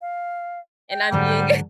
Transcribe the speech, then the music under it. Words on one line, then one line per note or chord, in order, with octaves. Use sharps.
and I'm being
F5
G5
G#2 D3 F#3 G3